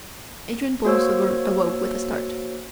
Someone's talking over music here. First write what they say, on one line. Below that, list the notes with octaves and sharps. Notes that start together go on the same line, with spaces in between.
Adrian Borlsover awoke with a start.
A#3 F#4 C5 C#5 E6